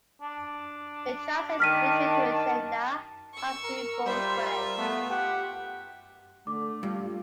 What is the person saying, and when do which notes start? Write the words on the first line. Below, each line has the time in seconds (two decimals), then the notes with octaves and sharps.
It translates literally to Shenda high-speed roadway.
0.22 D4
1.60 D#3 A5 F6 B6 D#7
3.34 C#6 E6
3.64 A#4
4.06 G3 F4 C5 E5
4.42 A#4
4.78 A3 B3
5.10 G4 F#5
6.47 D3 A3 D6
6.83 G2 F4